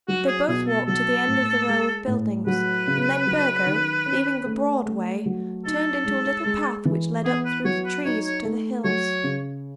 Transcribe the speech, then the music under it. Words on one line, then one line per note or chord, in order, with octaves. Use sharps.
They both walked to the end of the row of buildings, and then Burgo, leaving the broad way, turned into a little path which led up through the trees to the hills.
F#3 F#4
G#4
B2 G#4
A4
F#3 A4
A2
G#3
A2
F#3 B4
C#3
F#3
D#3
C#4
A3
A3
F#3
D#4 A4
G#3
G#3
E3
B3 G#4
B4
F#3 C#5
B4
D#4 C#5
C#5
A3
F#3 C#5
C#3